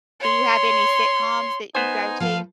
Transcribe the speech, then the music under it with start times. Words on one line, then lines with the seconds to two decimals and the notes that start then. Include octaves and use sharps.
Do you have any sitcoms that you go to?
0.20 C#5 C6
1.75 B3 D#4 C5 G#5
2.20 F3 A4 B4 F5